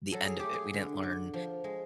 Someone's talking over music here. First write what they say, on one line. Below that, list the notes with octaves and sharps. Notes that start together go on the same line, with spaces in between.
the end of it. We didn't learn,
F#3 A4
G#4
A3 G4
G#4
D3
D3
F3
G#3